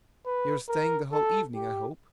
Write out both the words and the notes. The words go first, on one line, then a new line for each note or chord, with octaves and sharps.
"You are staying the whole evening, I hope?"
B4
A#4
A4
G4